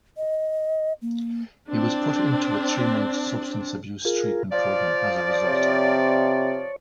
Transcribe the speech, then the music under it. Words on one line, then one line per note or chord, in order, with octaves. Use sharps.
He was put into a three-month substance abuse treatment program as a result.
D#5
A#3
C4 D4
F4 G#4 A#4
F3 D5 F5
C3 C#5